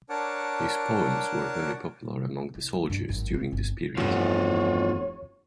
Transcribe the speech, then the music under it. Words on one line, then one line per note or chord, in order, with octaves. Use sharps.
His poems were very popular among the soldiers during this period.
D4 A#4 C#5 F#5 A5 D6
C2
G2 D4
G#1 F#2
C4
G1
F1 E2 G2 F4 F#4 C#5